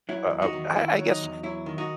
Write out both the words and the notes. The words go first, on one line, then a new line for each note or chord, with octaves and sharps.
uh, I I guess
F#3 E4
E2
D#4 F#4
D#3
D#3 E4
F#3
D#4
E2
F#3 E4
D#3
D#4 F#4